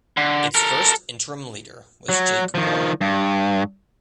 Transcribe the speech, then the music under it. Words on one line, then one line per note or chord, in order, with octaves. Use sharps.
Its first interim leader was Jake Wall.
D3
A4 A#4
F#3
D#3 F3
G2